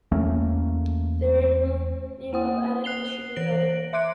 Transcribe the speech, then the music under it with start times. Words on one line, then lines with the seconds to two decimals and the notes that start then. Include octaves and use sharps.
The original name of Attock District was Attock.
0.12 E2 A3 A#3 C#4
2.33 A#3 F#5 D#6
2.84 F#6 C7 F7 G7
3.36 E3 C5 A#6 D7 F#7
3.93 E5 C6 D6 F#6 D7